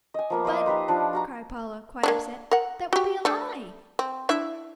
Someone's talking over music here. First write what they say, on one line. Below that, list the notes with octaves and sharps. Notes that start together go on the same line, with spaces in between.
"But," cried Paula, quite upset, "that would be a lie!"
D#5 G#5
F3 A#3 B3
C5 D5 D#5 F5
D#4 G4 B4 C5
F3 D4
F#4 F5 A#5
A#3 C#4 D4
A#4 F#5
F#4 G4
A3 D4 A4
C4
D4 E4 E5